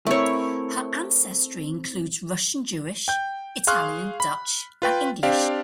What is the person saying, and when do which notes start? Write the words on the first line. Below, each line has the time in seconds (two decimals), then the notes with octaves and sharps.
Her ancestry includes Russian-Jewish, Italian, Dutch, and English.
0.07 A3 C4 E4 A#4 C#5
3.08 G5 G6
3.67 G#4 F5 C6 C#6 F6 F#6
4.20 B5
4.82 F4 B4 G5
5.23 C4 D4 G4 D5 F5